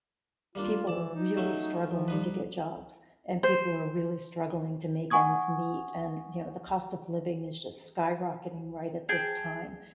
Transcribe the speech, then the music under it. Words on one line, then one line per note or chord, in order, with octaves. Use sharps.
people are really struggling to get jobs, and people are really struggling to make ends meet, and, you know, the cost of living is just skyrocketing right at this time,
G3 A#3 D4 F4
E3 D5 A5
D#4
F#3 A3 C#4
F3
G3 D#4 B4
C5
F#5 G#5 C#6 D#6 G#6
G#4 G5 A5